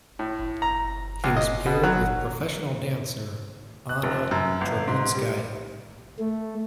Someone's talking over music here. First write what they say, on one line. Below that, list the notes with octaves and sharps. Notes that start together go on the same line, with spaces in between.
He was paired with professional dancer Anna Trebunskaya.
A2
A#5
C#2
D#5
B2
F#3
F#6
F1
F#2
G1
G#2
G3
A3